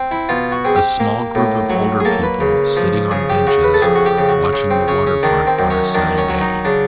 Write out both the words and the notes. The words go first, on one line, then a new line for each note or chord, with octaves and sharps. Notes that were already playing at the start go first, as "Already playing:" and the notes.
A small group of older people sitting on benches watching the waterfront on a sunny day.
Already playing: C4
E4
B2 F4
F#4
C4 G#4
G4
A#3
A2
F#3 F#4
G#4
A#3 A4
B4
C#3
F3
C#3 G#4
G4
C#3 F#4
B4
A4
F2 G#4
F#4
G4
C#3
F#4
C#3
C4
C#3 C#4
C#4
D#3 D4
C4
F#2
C#4
D#3 D4
C#4
F#3
D#4
C#3 D4